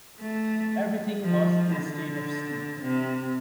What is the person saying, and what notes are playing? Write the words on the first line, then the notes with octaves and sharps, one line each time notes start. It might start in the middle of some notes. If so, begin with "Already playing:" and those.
Everything was in a state of sleep.
A3
F3
D3
C3